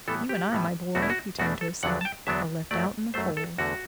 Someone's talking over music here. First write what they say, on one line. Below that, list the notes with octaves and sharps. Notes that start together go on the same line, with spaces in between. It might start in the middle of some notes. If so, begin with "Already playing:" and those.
"You and I, my boy," he turned to his son, "are left out in the cold."
A2 E3 G3 B3 A4
G4
A2 E3 G3 B3
E2 B2 A3 D4 F#4
E4
F#4
E2 B2 A3 D4 F#4
A4
E2 D3 F#3 B3 D4 F#5
A5
G5
E2 D3 F#3 B3 D4 E5
F#2 F#3 A3 D5
F#2 F#3 A3 C5
A4
E2 D3 A3 F#4